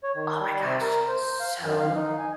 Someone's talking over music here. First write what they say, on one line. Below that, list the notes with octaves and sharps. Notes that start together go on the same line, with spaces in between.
Oh my gosh, so
C#5
D#3
G3
C3
A#4
C5
F5
F#2
F5
D#4
G#5